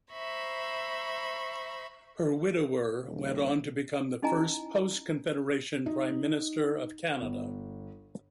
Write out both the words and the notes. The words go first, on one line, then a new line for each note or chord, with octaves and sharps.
Her widower went on to become the first post-Confederation Prime Minister of Canada.
C5 E5 A#5 B5 C#6
D#1
C#4 D#4 E4 D#5 G#5 A#5
D#4
G1